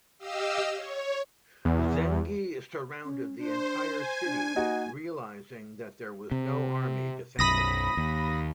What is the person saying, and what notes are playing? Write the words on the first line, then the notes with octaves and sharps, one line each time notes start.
Zengi surrounded the entire city, realizing that there was no army defending it.
G4 D#5 F5 E6
C#5
E2
C#4
D4 C5
G#5
D4
A#3 D#4 F#4
C3
B1 F#2 B5 D#6 A#6
D#2